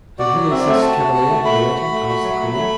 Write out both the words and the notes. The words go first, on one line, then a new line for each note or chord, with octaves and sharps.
"And who is this cavalier, Henrietta?" asked the queen.
F#4 D5
F#3
C4 E5
D5
A3 E5
F#4 A5
F#4
F#4
A3
A3 B5
F#4
F#4
A3
F#4
F#3
A3
A3